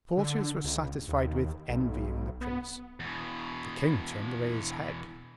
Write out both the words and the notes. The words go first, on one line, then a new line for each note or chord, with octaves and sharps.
The courtiers were satisfied with envying the prince.--The king turned away his head.
D3
C#2
D#2
B1
B3
E2 B2